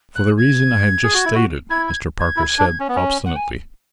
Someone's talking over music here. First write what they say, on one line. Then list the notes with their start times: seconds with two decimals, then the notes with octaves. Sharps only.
"For the reason I have just stated," Mr. Parker said obstinately.
0.15 F#6
0.37 G#6
1.04 G#4
1.14 F#4
1.25 E4
1.35 F#4
1.70 E4 G#6
1.86 G#6
2.19 G#6
2.36 E4
2.59 D4
2.80 C#4
2.89 B3
2.96 C#4
3.25 F#5
3.36 G#5